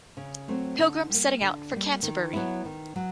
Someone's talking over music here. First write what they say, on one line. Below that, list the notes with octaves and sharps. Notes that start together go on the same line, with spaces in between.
Pilgrims Setting Out for Canterbury.
C#3
F#3 A3 C4
D3
G3 A#3
D3
G3 A#3
D#3
F#3 B3 E4
D#3
F#3